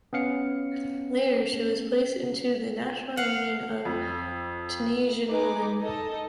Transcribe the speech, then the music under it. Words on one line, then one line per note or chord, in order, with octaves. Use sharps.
Later she was placed into the National Union of Tunisian Women.
B3 C#4 F5 C#7
F5 F#5
F2
D#4 B4 G#5 D6
D#4 A4 D#5